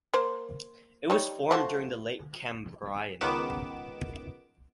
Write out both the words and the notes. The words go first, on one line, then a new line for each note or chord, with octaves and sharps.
It was formed during the Late Cambrian.
A#3 C5
G3 D#4 C#5
F3 A3 F#4
C#2 D#3 B3 D6 E7